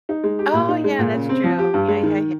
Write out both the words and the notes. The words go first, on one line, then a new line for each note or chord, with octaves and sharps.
Oh, yeah, that's true. Yeah, yeah,
D#4
G#3
G4
A#2
D#4
G#3
A#2
C#3
C4
F3
G4
G2
G#3
D#3